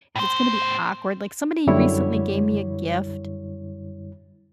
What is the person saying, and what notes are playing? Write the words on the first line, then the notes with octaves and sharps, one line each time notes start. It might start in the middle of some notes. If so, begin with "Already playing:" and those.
if it's gonna be awkward- like, somebody recently gave me a gift,
A2 C5
F#2 D3 G3 E4 C#5